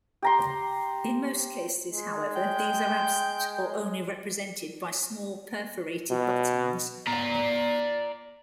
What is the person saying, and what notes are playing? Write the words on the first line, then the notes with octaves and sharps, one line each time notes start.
In most cases, however, these are absent or only represented by small perforated buttons.
G4 A#5 C6
G#3
G5
B2
D5 A#5